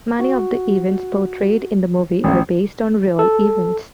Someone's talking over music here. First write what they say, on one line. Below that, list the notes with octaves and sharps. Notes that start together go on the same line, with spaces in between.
Many of the events portrayed in the movie are based on real events.
F#4
A1
A4